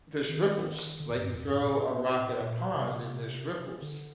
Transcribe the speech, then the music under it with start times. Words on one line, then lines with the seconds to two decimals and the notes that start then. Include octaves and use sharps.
there's ripples, like you throw a rock in a pond and there's ripples.
0.29 D#3
1.00 D3
1.10 A2
1.17 G2
1.35 F2
1.44 G2
1.53 A2
1.61 A#2
1.70 A2
2.41 A#2
2.72 A#2
2.76 C3
3.82 D3